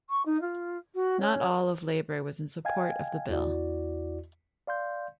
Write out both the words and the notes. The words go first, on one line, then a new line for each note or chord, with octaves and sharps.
Not all of Labor was in support of the bill.
C#6
D#4
F4
F#4
C#4
D#5 F5 G5 G#5 G#6
E2 E4 F#4 D5
D5 F5 C6 G6